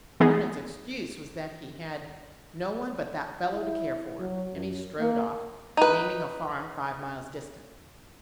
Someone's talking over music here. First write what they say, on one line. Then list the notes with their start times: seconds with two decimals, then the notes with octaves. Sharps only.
Vernon's excuse was that he had "no one but that fellow to care for", and he strode off, naming a farm five miles distant.
0.20 E3 B3 D#4 G#4 A#5
3.53 E4
4.20 F#3
4.53 F#2
4.99 A#3
5.77 D#4 B4